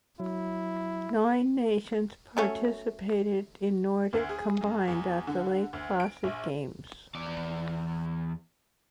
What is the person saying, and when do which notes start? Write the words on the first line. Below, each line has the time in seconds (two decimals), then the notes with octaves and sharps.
Nine nations participated in Nordic combined at the Lake Placid Games.
0.20 F#3 E4
2.37 F#3 A3 C#4
4.13 D2
4.29 G#4
4.61 F#2
4.88 E2
5.27 D3
5.73 D2
6.00 D7
6.23 A#1
7.15 E2 D5